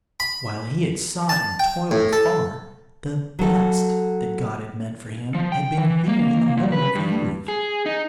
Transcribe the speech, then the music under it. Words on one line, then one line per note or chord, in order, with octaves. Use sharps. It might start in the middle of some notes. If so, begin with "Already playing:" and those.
While he had sought and toiled afar, the best that God had meant for him had been here in the home of youth.
B5
A5
G5
A2
A4
F#3 A4
F3
G5
E3
A#3
A#2
B4
G2
G#4
D#4